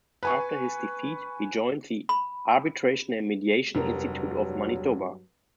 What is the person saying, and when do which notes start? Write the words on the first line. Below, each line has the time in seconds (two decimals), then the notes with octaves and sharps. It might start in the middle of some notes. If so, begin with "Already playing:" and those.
After his defeat, he joined the "Arbitration and Mediation Institute of Manitoba".
0.23 B4 G#5 C#6
2.09 B5
3.75 F1 G2 F#3 A#4